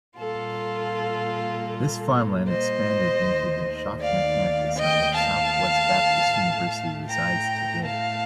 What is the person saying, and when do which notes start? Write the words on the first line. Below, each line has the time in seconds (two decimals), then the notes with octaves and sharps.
This farmland expanded into the Shoffner Campus on which Southwest Baptist University resides today.
0.18 A#2 G3 A#3 F4 A4
2.48 C5 D#5
3.25 D#2 D#3 A3
4.01 D5 F5
4.78 D#5 G5
5.16 F5 A5
6.32 A2 A3
7.08 G5 A#5
7.85 F5 A5